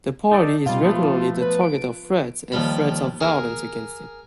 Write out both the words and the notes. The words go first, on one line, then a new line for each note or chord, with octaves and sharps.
The party is regularly the target of threats and threats of violence against it.
D#4 A4 D5
B2 G3 F4
F3 A3 B3
B4
D7
D#2 F3 G3 B5
G#4 A#4